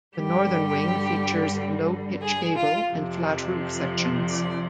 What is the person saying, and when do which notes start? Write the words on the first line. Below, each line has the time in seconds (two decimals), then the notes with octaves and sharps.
The northern wing features low pitch gable and flat roof sections.
0.16 G2 D3 G3 G4
2.22 G#4
2.56 F4
2.90 F2 C3 F3
4.27 D5